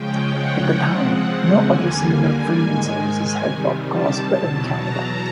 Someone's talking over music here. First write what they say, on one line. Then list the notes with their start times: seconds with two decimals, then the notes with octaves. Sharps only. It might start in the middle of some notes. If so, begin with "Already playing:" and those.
At the time, no other similar premium services had broadcast within Canada.
Already playing: C#3 F3 G#3 C#4 G5
0.34 F#5
0.78 C#3 F3 G#3 C4
1.67 D#2 D3 G3 A#3 G#5
2.55 G#2 D#3 G#3 G#5
3.43 C3 D#3 G3
3.87 A5
4.32 E2 B2 F#3
4.77 A#5